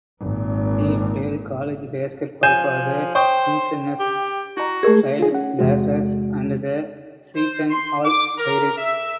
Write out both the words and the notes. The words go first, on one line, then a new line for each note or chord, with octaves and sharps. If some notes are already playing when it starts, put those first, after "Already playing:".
He played college basketball for the Vincennes Trailblazers and the Seton Hall Pirates.
G#1 A#2
F3 C#5 G#5 G6 E7
C5 C#5 G5 C#6 D#6
G4
E4 F#4 A#5
A3 G4 G#4 A#4
F4 G#4
C#4 F#5
E2 C3 G#3 F#4
C5
C6
D6
A#4
E5